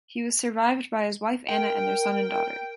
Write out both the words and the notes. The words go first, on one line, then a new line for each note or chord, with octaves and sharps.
He was survived by his wife Anna and their son and daughter.
A#4 G5